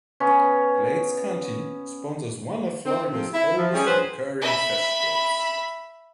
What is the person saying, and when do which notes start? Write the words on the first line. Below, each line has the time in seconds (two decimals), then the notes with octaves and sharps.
Glades County sponsors one of Florida's oldest recurring festivals.
0.20 B3 C#4
2.86 C4
3.12 C3 F3 C4
3.33 E4
3.58 F3
3.74 G3 C#4 G#4
3.86 F3 F#3 G#4 B4 C5
4.41 E5 B5